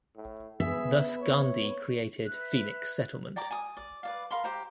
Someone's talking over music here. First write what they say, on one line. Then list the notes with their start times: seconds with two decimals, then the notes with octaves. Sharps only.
Thus Gandhi created "Phoenix Settlement".
0.16 A2
0.60 B3 G#4 E5
1.21 C#5
2.26 B4 E5 F#6
3.36 D5 G5 A#5 D6
3.51 G#5 D#6
3.77 D5
4.03 B4 D5 F5
4.31 A#4 F5 B5 C6
4.44 G4 C5 A#5